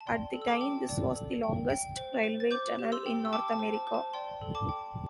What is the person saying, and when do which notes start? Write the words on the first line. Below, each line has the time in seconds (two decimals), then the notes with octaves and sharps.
At the time, this was the longest railway tunnel in North America.
0.01 A5
0.07 D5 G5 C6
0.34 A4
0.42 E6
0.48 A5 D6
0.61 G5
0.89 D5
1.16 A4
1.43 G5
1.70 G5
1.96 C5
2.24 C5
2.40 A6
2.51 C5 D6 G6
2.79 G4
2.92 C6 E6
3.06 G5
3.25 E6
3.33 G5 A5 D6
3.52 A5
3.59 C5
3.74 A5
3.87 C5
3.94 A5
4.13 D5 G5 C6
4.41 A4
4.55 A5 D6
4.69 G5